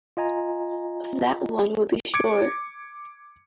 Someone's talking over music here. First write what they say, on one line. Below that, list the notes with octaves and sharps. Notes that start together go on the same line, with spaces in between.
Of that one would be sure.
F4 D#5 G#5 A#5
D6 G#6 C#7 D7